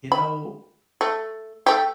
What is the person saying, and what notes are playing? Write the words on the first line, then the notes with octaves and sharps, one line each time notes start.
You know,
B5
A3
A3 G4